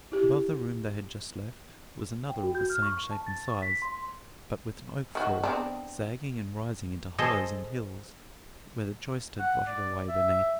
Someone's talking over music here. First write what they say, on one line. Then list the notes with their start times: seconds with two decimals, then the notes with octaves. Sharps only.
Above the room they had just left was another of the same shape and size, but with an oak floor, sagging and rising into hollows and hills, where the joist had rotted away beneath.
0.12 E4 G4
2.30 G5
2.43 F#4
2.55 G6
2.70 F6
2.82 C#6
2.94 C#6
3.11 A5
3.27 A6
3.48 C#6
3.62 B6
3.82 C6
5.15 D#3 F#4
5.43 B3 C4 D4
7.18 G#4 A4 C5 D#5
9.39 F#5
9.67 D5
10.08 E5